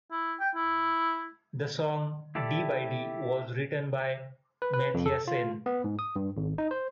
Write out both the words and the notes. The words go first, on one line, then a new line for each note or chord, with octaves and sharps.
The song "D by D" was written by Mathiassen.
E4
G5
E4
E4 G4 A4 D5
B4
B4
F2
A4
F4
B3
G#2
D#6
G2
G#1
D#4
C5